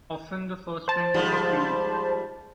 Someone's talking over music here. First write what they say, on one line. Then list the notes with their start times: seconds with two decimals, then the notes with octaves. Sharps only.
Often the first ring is a field.
0.88 C5 A5
1.14 G#2 F3 G3